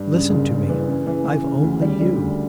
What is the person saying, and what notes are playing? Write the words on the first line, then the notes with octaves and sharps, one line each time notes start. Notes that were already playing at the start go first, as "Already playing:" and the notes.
Listen to me, I've only you.'
Already playing: G2
C#3
F#1
C#3
E3
C#3
E3
E3
C#3
D2
G3
D3
D2